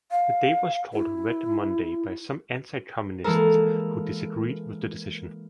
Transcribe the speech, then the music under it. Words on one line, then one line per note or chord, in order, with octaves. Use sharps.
The day was called "Red Monday" by some anti-communists who disagreed with the decision.
F5
E4
E3 G#3 A#3 A4 A#4